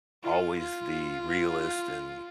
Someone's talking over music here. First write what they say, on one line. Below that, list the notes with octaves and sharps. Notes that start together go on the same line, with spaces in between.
always the realist and
F4
F4